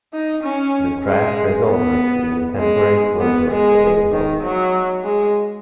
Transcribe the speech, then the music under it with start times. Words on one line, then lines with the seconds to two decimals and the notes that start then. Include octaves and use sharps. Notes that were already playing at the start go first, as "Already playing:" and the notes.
The crash resulted in the temporary closure of the airport.
0.13 D#4
0.43 C#4
1.05 G#3
1.67 B3
2.58 G#3
3.20 B3
3.51 G#3
4.12 D#3
4.43 F#3
5.04 G#3